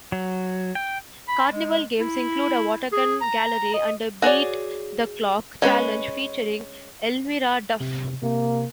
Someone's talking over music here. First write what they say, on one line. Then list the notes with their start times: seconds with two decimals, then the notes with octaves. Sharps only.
Carnival games include a watergun gallery and a beat-the-clock challenge featuring Elmyra Duff.
0.12 F#3
0.75 G5
1.28 B5
1.51 G#3
2.00 E4
2.92 G#4
3.21 A#5
3.74 D#5
4.22 F#4 G#4 C#5 D5
5.62 G#3 C#4 B4
7.80 C3
8.22 C3 A#3